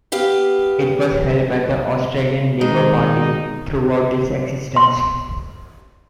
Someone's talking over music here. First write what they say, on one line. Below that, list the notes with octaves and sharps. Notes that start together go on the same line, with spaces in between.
It was held by the Australian Labor Party throughout its existence.
B3 G4 F5
D#3 G#3 D#4
C6